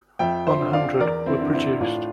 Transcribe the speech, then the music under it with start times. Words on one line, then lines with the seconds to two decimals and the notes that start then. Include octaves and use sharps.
One hundred were produced.
0.19 F2 E5 G5
0.47 C5 E5
0.60 D3
0.73 D5 F5
1.00 E2 A#4 D5
1.26 C4 E4
1.40 D3
1.54 C4 E4
1.80 A2 D4 F4